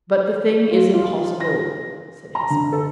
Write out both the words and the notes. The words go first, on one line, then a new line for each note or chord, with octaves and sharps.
"But the thing is impossible," said Hesper.
F4
F4
A#6
A#5
D3
A4